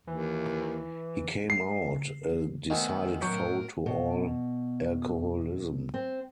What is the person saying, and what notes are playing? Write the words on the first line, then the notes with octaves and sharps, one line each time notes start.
He came out a decided foe to all alcoholism.
D#2 E3
C7
C3 D#3 A3 B3 D#5 F#5 G#5
F#2 A2 F#3 A#4 G6
B2
C4